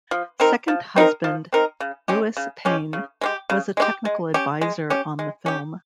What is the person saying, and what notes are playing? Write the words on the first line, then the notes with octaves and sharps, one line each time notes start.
Second husband Louis Payne was a technical adviser on the film.
F3
C4 D#4 A#4
F3
C4 D#4 A#4
F3
C4 D#4 A#4
C#3
G#3 C#4 G4
C#3
G#3 C#4 G4
C#3
G#3 C#4 G4
C#3
G#3 C#4 G4
G#3
C#4 G4
G#3
C#4 G4
G#3
C#4 G4